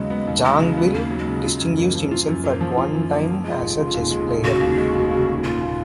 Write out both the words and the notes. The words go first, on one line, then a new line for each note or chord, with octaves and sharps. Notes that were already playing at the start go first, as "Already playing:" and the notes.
Zangwill distinguished himself at one time as a chess player.
Already playing: D#2 C#3 F#3 G#3 B3
B3
D#2
F#3 G#3
C#3
B3
D#2 A#3
F#3
G#3
C#3
F4
F#2
A#3
F3
F4
F#2
F#3 A#3
F3
F4
F#2
A#3
F3
G#3 F4
F1
C#3
D#2
G#3
F1
C#3 F#4
D#2
G#3
F1
C#3
D#2
A#2 F4
A#2